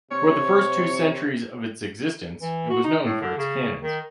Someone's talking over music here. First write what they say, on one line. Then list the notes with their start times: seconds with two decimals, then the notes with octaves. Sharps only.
For the first two centuries of existence it was known for its cannons.
0.11 C3 C4 C#5
2.41 E3
2.70 F#4
2.84 D#4
3.04 A2
3.21 D3
3.38 C#3
3.82 D#3